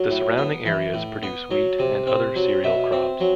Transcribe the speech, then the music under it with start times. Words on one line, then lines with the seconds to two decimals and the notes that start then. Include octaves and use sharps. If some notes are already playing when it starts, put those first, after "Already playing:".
The surrounding areas produce wheat and other cereal crops.
Already playing: F#3
0.10 A2
0.37 B3
0.66 E3
0.94 A2
1.23 B3
1.51 F#3
1.79 C3
2.07 C4
2.36 F#3
2.64 B2 E5
2.92 C4
3.20 F#3